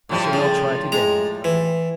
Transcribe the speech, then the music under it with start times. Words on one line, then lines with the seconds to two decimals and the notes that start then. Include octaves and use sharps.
"I shall not try it again, Miko."
0.09 A2 F3 G3
0.33 C#3
0.92 G#3 A#5
1.44 E3